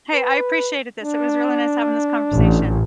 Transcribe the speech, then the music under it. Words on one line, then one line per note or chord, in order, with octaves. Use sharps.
Hey, I appreciated this. It was really nice having this conversation.
B4
D4
A1